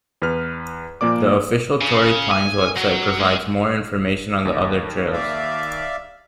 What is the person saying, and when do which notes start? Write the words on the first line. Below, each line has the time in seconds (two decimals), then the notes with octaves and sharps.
The official Torrey Pines website provides more information on the other trails.
0.22 E2 B4 F6
1.01 A#2 F3 A#3 D5 D6
1.81 C#3
2.32 G#5
2.77 F#3
3.20 G#3
4.45 D#2
5.13 D5 E5 F5